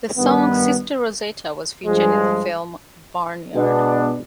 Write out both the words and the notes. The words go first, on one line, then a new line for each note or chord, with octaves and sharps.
The song "Sister Rosetta" was featured in the film "Barnyard".
G2 D#3 B3
G2 F3 G#3
B2 G#3 B3 D4